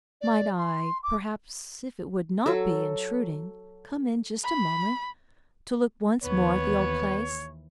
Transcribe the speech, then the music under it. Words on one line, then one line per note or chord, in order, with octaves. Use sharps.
Might I, perhaps, if it would not be intruding, come in just a moment to look once more at the old place?
D5
C6
D6
F#3 A4
B5
D#2 E3 B3 C#5